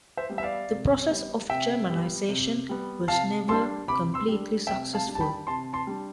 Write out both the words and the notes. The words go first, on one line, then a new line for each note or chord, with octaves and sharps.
The process of Germanisation was never completely successful.
C5 E5
G3 B3
E5
D5 F5
C3
G3 B3
C3 E5 G5
G3 B3
C3
G3 B3
C3 F5 A5
G3 D4 A5 C6
C3 B5 D6
C6 E6
G3 D4
C3 E5 G5
F5 A5
G3 D4
A5
G5 B5
C3 A5 C6
A5 C6
G3 D4